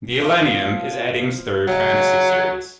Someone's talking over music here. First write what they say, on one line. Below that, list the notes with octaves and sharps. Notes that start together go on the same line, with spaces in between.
"The Elenium" is Eddings' third fantasy series.
F3 F4
C#3 E3 F#3 G#3